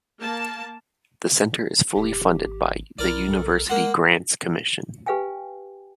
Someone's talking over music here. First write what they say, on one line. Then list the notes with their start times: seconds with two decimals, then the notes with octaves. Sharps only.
The Center is fully funded by the University Grants Commission.
0.20 A#3 A5
1.96 E1 G4
2.46 G#1
2.99 B1 E4 A#4 D5
3.30 A4
3.68 G#3 A#3 F#5 C6
5.06 G4 B4 F5 G5 G#5